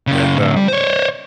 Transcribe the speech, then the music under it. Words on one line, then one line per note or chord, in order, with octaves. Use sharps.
and, um,
F#2 C#3
A2 D3
G3
C5 C#5